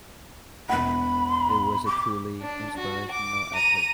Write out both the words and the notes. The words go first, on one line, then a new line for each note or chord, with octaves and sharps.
It was a truly inspirational effort.
E1 F#5 B5
D6
D4
F#4
D6
A#5 D#7